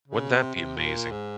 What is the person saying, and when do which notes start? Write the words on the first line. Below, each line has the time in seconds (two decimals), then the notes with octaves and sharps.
Wouldn't that be amazing?
0.08 C#3
0.31 C3
0.55 C3
0.77 A#2
1.12 G#2